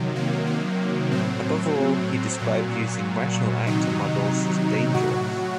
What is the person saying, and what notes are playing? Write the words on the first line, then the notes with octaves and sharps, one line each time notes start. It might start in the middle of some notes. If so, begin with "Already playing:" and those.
Above all, he described using rational actor models as dangerous.
Already playing: C3 D#3 F#3
A#3
A#3
A2 F#3 C4
A#2 F#3
C3 D#3 F#3 D#4
A2 F#3 F#4